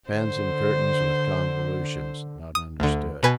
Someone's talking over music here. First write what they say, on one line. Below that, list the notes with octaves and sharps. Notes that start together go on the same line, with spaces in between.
Bands and Curtains with convolutions--not understood.
D3 C5
D#6
D2 D3
B2 B4 G#5